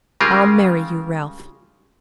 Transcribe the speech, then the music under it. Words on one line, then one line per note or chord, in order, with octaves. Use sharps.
I'll marry you, Ralph!...
C#3 G3 G#3 F4 A#4